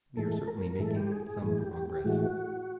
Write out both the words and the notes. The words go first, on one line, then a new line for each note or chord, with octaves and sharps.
We are certainly making some progress.
A2 E3 G#3 A4
A#4
A2 E3 G#3 A4
G4
G#4
G#4
A2 E3 G#3 G#4
G4
G4
G4
A2 E3 G#3 F#4